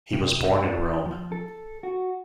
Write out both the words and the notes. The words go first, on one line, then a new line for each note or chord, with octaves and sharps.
He was born in Rome.
C3
D4
F3
A4
F#4